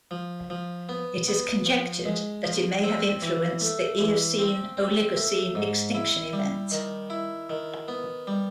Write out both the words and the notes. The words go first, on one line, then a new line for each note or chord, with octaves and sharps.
It is conjectured that it may have influenced the Eocene-Oligocene extinction event.
F3
F3
B3
B3
F3
G#3
F3
C4
E3
A3
E3
C4
C4
A3
G#2
E4
G3
D#3
E4
D#3
B3
G3